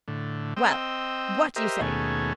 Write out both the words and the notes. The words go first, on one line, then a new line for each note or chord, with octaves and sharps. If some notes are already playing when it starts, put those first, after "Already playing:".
Well, what do you say?
A2 D3
C4 D#5 G5 E6
G4 A#4 C5 D#5 E5
D#2 B2 A3 C#4 G#4